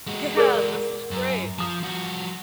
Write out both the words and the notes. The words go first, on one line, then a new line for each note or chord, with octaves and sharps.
Yeah, this was great
G#3 F#4
G#4 A#4 D5
F#2
F3 A#5 D#6
F3 F#4